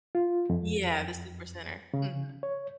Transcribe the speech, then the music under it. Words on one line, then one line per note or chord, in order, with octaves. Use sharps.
Yeah, the Supercenter, mhm.
F4
F2
C#3
C#5